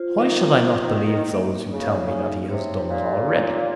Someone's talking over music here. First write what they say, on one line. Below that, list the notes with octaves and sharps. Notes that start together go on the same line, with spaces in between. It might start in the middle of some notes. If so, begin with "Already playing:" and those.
Why should I not believe those who tell me that He has done it already?
Already playing: F4 C5
D#3 D#5
A#3
D#4
A#3
C#3 A#3
D#4
C3 C#5
A#2 G4
C#5